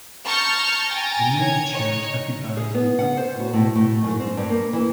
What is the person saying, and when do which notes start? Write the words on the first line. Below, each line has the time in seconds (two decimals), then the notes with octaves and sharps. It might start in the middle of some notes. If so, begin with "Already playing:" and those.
The main church occupies the top floor of the building.
0.25 A5 A#5 C#6 F6 G6 A6
0.89 G5 G#5 A#5 A6
1.40 C#5 G#6
1.74 D#4 C#5
2.57 G#4
2.75 B3
2.99 F#5
3.17 C5
3.40 F#4
3.53 A2
3.75 A2
4.03 F#2
4.20 C4
4.37 G2
4.50 A#3
4.73 E3